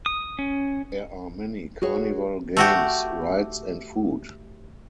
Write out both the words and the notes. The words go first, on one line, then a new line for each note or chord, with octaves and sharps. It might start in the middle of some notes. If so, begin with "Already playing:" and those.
There are many carnival games, rides, and food.
D#6
C#4
F#4 G#4 C#5
A3 F#4 G4